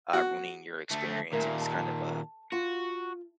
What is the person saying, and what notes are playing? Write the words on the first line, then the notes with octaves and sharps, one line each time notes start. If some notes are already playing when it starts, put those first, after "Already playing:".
uh ruining your experience, and it's kind of a
F#4
D2 A3
D#2 A#2 A3 A#4
A5
F4 F#4